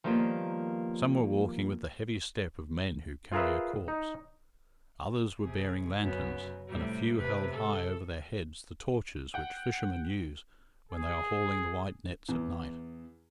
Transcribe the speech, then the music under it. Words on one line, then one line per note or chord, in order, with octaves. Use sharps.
Some were walking with the heavy step of men who carry a corpse. Others were bearing lanterns, and a few held high over their heads the torches which fishermen use when they are hauling the white nets at night.
D#3 F3 G3 A#3 B3 F4
F4 G#4 A#4 B4 E5
D#4
C3 G#4
F#2 C#3 B3
A2 C3 G3
C3 B4
A4
F#5 G5
G#4
E2